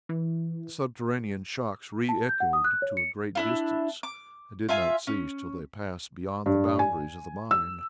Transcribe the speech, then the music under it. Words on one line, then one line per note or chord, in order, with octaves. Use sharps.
The subterranean shocks re-echoed to a great distance and did not cease till they passed beyond the boundaries of the mine.
E3
A5
G6
F#5
D#6
F#6
C#5
C#7
D4 E4 F4
D6
F4 E5 F5 G#5
C#4
G2
G#5
E6